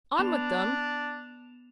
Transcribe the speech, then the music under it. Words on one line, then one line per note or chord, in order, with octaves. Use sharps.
On with them!
B3 D4 E7 F7